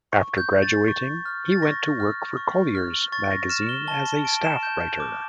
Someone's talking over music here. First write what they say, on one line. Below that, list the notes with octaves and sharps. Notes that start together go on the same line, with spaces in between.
After graduating, he went to work for "Collier's" magazine as a staff writer.
C#6
G6
G6
A6
C#6
F6
A6
C#6 A#6
F6
C#6
F6
C#6 A6
A#6
F6 E7
G7
A5 G7
G7
A5 D7
E7
G6
D6